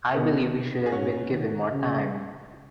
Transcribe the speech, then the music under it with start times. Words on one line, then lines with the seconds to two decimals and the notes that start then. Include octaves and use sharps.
I believe he should have been given more time.
0.15 B2 B3 D#4
0.86 G#4
0.92 G#2 C#4 F#4
1.31 D#3
1.71 C#3